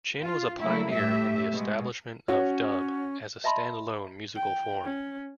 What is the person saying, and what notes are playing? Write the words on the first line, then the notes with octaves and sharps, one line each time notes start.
Chin was a pioneer in the establishment of dub as a standalone musical form.
F4
F#3 G3 A3 A#3 E4
A2 G4 E5
B2 G#3
C#4 F#4 C#5
D#5 E5 A5 B5 C6
G5
C#4